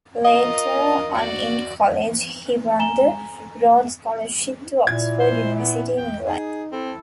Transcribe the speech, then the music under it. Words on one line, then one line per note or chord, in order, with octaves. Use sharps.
Later on in college he won the Rhodes scholarship to Oxford University, in England.
F4 A#4 D#5
F#4 D5
G#5 A#5 E7 G7
A#2 E4 G#6
C5
B3
G5
D#4 G#4
C4 E4 A4